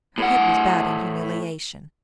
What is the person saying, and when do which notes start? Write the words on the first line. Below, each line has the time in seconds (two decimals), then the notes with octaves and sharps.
Her head was bowed in humiliation.
0.18 A2 F#5